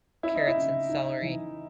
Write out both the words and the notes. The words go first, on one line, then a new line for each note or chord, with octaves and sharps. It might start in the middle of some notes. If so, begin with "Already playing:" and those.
carrots and celery."
C#4 E4
D#4
E4
C#3
D#4
E3